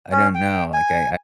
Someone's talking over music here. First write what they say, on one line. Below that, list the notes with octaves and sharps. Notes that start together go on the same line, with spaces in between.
I don't know, like, I
C#4
G5
G#5